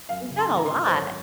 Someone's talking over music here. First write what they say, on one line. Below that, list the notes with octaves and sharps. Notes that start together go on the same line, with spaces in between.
You've done a lot.
F#2 F5
C#3
C6
G#1
A#5
C6
G#1
C5
F#2 C#5